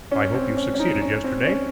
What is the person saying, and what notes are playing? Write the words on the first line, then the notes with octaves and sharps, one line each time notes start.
I hope you succeeded yesterday.
C#4
C4
C#4
C#4
D#4
C#4
C4
C#4